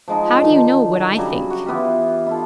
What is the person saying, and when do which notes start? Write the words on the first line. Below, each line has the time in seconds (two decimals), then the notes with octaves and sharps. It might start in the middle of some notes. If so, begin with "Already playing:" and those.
'How do you know what I think?'
0.08 F3 G#3 D#4
0.42 D3 D#3
1.17 C#3 F#3 G3
1.50 F#4
1.66 E3 B3 F4 G4
2.26 E4 F4 A4